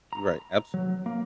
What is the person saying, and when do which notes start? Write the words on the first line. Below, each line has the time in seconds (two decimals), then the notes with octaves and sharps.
Right, absolutely.
0.13 A#5
0.74 F#3
1.06 A#3